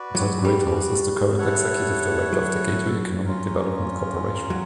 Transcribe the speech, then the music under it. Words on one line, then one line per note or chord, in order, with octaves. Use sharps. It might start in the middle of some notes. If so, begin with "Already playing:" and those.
Todd Greathouse is the current executive director of the Gateway Economic Development Corporation.
Already playing: F#4 B4 D5
F#3
G3
E4 A4 C#5 F#5
F#3
C#4 F4 A#4
F#3